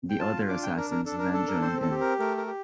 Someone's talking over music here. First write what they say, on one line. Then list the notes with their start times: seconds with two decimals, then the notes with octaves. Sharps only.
The other assassins then joined in.
0.10 G5
0.19 F4 A5
0.49 D4 D6
0.63 G5
0.76 D4 A#4
0.91 A#4
1.05 D4 A4
1.19 A#4
1.33 A4
1.48 A#4
1.62 C4 C5
1.82 A4
1.91 G4
2.01 A#4
2.20 A3 A#4
2.37 A#4
2.47 G4